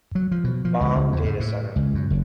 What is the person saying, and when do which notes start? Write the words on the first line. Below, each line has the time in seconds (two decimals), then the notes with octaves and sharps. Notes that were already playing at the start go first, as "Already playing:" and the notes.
Bomb Data Center.
0.15 F#3
0.31 F3
0.44 B2
0.65 F3
0.81 C#2
0.96 C#2
1.12 E2
1.25 G#2
1.40 A2
1.76 C#2
1.94 F#2
2.11 F#1